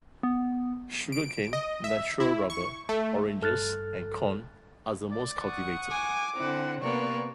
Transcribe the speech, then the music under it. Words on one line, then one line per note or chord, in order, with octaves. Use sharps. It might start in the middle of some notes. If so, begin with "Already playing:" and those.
Sugarcane, natural rubber, oranges and corn are the most cultivated.
B3
D7
D#5
E5
E4
C#6
A3
G2 A4 F6 F#6 A6
D5
F#5 C#6 D#6
G#5 D6
D3 C4 E4 F#5
C3 A#3 B3 D5 C#6